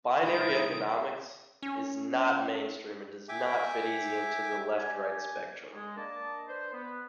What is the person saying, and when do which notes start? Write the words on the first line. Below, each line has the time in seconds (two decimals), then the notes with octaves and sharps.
Binary economics is not mainstream and does not fit easy into the left-right spectrum.
0.23 C2 D#3 E4 D#6 D7
1.62 C#4
3.29 E5 G5 G#5 D6
4.76 D4 G4 G#5
5.74 G#3
5.96 A#3 D4 D5 D#5 A5
6.47 D4 B4 C5
6.72 B3